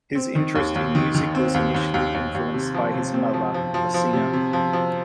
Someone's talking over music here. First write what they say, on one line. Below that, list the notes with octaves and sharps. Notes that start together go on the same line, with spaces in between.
His interest in music was initially influenced by his mother, a singer.
C4
D#3
D#2
D#2
D#3
D#3
C4
D#2
D#2
D#2
D#2
D#2
C3
F3
C3
C4
F3
F3
F3
F3
C3
C3
F3
F3